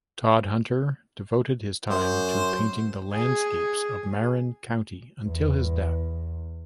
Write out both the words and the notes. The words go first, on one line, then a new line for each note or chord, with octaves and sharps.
Todhunter devoted his time to painting the landscapes of Marin County until his death.
F#2 C5
G#4
E2